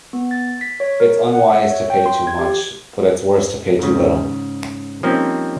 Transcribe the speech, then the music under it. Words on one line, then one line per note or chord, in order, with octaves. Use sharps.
It's unwise to pay too much, but it's worse to pay too little.
B3
A6
B6
C#5
A#4
F#5
E5
C#5
G5
C6
G#6
G4
G#2 C#3
F3 G3 A#3 C4 C#4 D#4